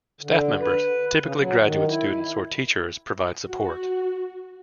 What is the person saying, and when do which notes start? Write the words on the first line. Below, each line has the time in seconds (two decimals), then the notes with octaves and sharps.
Staff members, typically graduate students or teachers, provide support.
0.21 D3
0.59 B4
1.19 C#3
1.38 F#3
1.61 D#3
1.87 E4
3.48 F#4